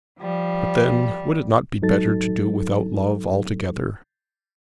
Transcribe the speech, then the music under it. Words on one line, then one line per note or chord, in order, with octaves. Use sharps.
But then would it not be better to do without love altogether?
F3 G3
G#2 F#3 D#4 A4 A6